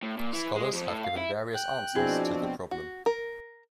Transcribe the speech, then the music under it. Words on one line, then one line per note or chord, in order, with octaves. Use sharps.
Scholars have given various answers to the problem.
A2
A#2
E3
G#3
F2
A2
F5
E4
G5 F#6
B2 F3 C4 D4 E4 G#4
F#4
A#4